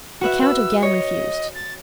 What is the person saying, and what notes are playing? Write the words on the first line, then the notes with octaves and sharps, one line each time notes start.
The count again refused.
F#4 B4 E5 F#6
B4 E6
C#5 D#5
A6